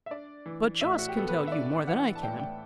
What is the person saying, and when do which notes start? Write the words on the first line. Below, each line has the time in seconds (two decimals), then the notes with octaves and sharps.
But Jost can tell you more than I can.
0.06 E5
0.11 D4 D5
0.46 E3
0.81 A2 E5
0.99 F#4
1.09 G4
1.17 B3 A4
1.28 B4
1.47 E5
1.52 D4 D5
1.87 E3 F#5
2.15 A5
2.22 A2 G5
2.40 G5